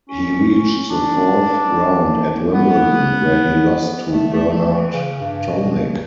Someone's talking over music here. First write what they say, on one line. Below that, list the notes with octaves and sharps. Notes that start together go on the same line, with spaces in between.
He reached the fourth round at Wimbledon, where he lost to Bernard Tomic.
C#4
D4
B3
A3
A3
A3
E3
C#3
G2
B2